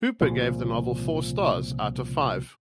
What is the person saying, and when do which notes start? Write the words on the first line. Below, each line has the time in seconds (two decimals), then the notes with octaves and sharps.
Hooper gave the novel four stars out of five.
0.21 C2 A#2 C#3 F3